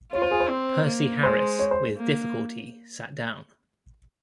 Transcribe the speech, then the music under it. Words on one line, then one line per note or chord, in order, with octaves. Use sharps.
Percy Harris with difficulty sat down.
F4 C#5
C5
G#4
C5
C4
A#3
G#3 C5
C#5
C5
A#3